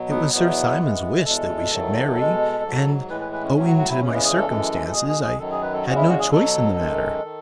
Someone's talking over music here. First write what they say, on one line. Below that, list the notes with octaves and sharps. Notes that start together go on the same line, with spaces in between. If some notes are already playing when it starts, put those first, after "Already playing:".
It was Sir Simon's wish that we should marry, and, owing to my circumstances, I had no choice in the matter.
Already playing: B2 F#3
B3
E2 B2 F#3 B3
G#2 E3 G#3
E2 B2 G#3 A4
E2 D#3 F#3
B2 G#3
G#2 F#3
A2 E3 G#3 B4
B4
B4
C#4
A2 F#3 C#4
F#4
F#4
E4
E2 C#3 E3 G#3 C#4
B3
G#4
A4
F#2 E3 G#3
A4
B2 G#3 G#4
G#4
G#4
F#2 D#3 F#3 A4
G#4
B4
A4
E2 C#3 G#3 F#4
E4
F#4
G#4
B2 F#3 A4
F#2 D#3 G#3
D#3